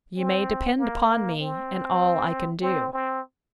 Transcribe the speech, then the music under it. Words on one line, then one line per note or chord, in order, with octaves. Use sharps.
You may depend upon me, and all I can do.
C4
A#3
A#3
C4
C4
C4